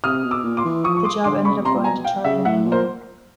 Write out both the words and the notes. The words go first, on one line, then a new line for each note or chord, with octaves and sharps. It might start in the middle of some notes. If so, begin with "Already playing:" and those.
The job ended up going to Charlie Manuel.
C3 D#6 F6
B2
D6 E6
A#2
C6 D6
E3
F3 C#6 D#6
C#6
C6 D6
D3 C6 D6
C#3 B5 C#6
B2
C3 A#5 C6
A#2
B2 G#5 A#5
F5 G5
C#3 E5 F#5
A2 E5 F#5
A#2
A#4 C5